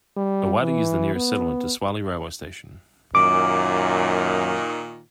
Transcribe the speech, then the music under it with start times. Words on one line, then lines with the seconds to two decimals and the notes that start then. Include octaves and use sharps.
Iwade is the nearest settlement to Swale railway station.
0.17 G3
0.61 E3
1.15 B3
3.15 F#2 A#2 D#3 D6